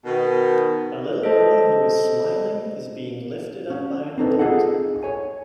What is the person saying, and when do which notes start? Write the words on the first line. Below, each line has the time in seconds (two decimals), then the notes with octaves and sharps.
A little girl who is smiling is being lifted up by an adult.
0.05 B2 D#3
1.23 A4 C5 D#5 A5
3.70 C#4
4.18 C4 D#4 A4 B4
4.39 F4 G#4 A4 D#5 F#5
5.03 C#5 G#5